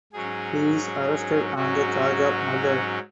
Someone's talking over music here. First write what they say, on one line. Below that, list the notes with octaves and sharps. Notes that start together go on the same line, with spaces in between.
He is arrested on the charge of murder.
G#2 F#3 C#4 G#4
G#2 F#3 C#4 F#4